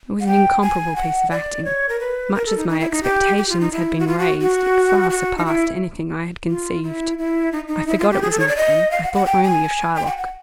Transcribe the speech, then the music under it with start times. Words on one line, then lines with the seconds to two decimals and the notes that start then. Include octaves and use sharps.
It was an incomparable piece of acting: much as my expectations had been raised, it far surpassed any thing I had conceived--I forgot it was Macklin, I thought only of Shylock.
0.20 F#5
0.27 G5
0.62 G#5
0.96 F#5
1.31 D5
1.65 C#5
1.89 A#4
2.00 B4
2.35 A#4
2.46 A4
2.57 D#4
2.69 D#4
2.80 E4
2.91 D#4
3.03 G4
3.37 G4
3.49 F4
3.60 D#4
3.72 E4
3.99 F#4
4.07 F4
4.19 F#4
4.41 F#4
5.10 F#4
5.38 D#4
5.46 E4
6.49 F4
6.83 E4
7.18 E4
7.52 D#4
7.68 D#4
7.87 E4
7.99 F4
8.11 G4
8.22 G#4
8.31 A4
8.40 C#5
8.48 D5
8.56 D#5
8.91 F5
9.03 F#5
9.14 F#5
9.26 G5
9.43 G#5
9.95 G5
10.07 F#5
10.18 F#5